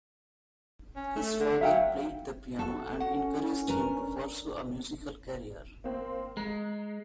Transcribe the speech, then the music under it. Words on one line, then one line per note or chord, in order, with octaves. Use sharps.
His father played the piano, and encouraged him to pursue a musical career.
C#4
A3
D3
F#3 E5 F5 G5
F#4 A4
C#4 F#4 F#5
D4 A#4 B4
A#3 C4 C5
G#3 A#5